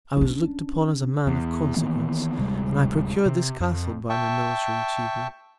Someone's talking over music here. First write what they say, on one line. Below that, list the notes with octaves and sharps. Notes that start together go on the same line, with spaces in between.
I was look'd upon as a Man of Consequence, and I procur'd this Castle by my military Atchievements.
C#4 D4
E2
D#3 E3 A#3 B3
D1 C3 G3 G#3
C3
F2
E5 G5 A5 C#6